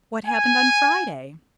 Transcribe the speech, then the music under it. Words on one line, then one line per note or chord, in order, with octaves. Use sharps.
"What happened on Friday?"
G#5